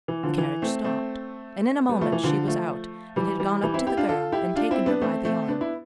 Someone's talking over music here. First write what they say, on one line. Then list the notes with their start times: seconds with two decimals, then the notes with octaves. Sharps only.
The carriage stopped, and in a moment she was out and had gone up to the girl and taken her by the arm.
0.08 E3
0.23 D3 F3
0.38 E3
0.62 A3 C4
0.84 A3 C4
1.89 G3 B3
2.01 F3 A3
2.12 E3
2.23 D3 F3
2.47 F3 A3
3.16 E3 G3
3.40 E3 G3
3.62 E3 G3
3.74 C4 E4
3.86 E4 G4
3.97 D4 F4
4.09 F4 A4
4.32 E4 G4
4.56 D4 F4
4.71 C4 E4
4.86 B3 D4
5.01 A3 C4
5.25 A3 C4
5.48 B3 D4
5.61 E4